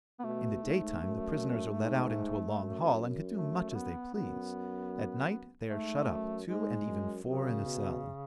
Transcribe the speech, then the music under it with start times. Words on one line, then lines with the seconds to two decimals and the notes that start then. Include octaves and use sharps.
In the daytime the prisoners are let out into a long hall, and can do much as they please; at night they are shut up, two and even four in a cell.
0.19 B3
0.23 B2 A3
0.63 G#2
1.03 F#2
1.79 G#2
2.58 F#2
3.36 A3
3.70 A3
3.75 B3
4.13 F#2 B3
5.69 G#2 A3
6.08 F#2
6.47 G#2 G#3
6.87 F#2
7.25 F#2 C#3
7.64 B2